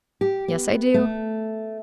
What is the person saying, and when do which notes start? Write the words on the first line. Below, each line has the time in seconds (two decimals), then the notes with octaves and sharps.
"Yes, I do."
0.21 G4
0.48 B3
0.94 A3